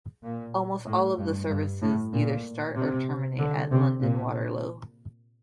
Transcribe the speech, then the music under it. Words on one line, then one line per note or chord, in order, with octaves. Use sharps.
Almost all of the services either start or terminate at London Waterloo.
A#2
A2
G2
G2
A2
A#2
C3
D3
C3
A#2